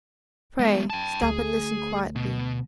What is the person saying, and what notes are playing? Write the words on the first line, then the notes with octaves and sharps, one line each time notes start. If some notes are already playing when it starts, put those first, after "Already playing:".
Pray, stop and listen quietly.
G#3 B3
G5 A5
D2 A3 G#4
B2